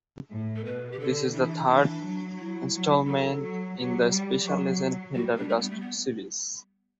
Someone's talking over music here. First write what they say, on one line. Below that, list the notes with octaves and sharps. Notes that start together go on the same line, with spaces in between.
This is the third installment in the Special Agent Pendergast series.
A2
A4
B2 B4
G4
D3 A4
E3 D4
E3 D4
F#3
E4
F#3
F#3 A4
F#3
F#3 G4
G3
F#3
G3 F#4
D4
A3
B3
A3
B3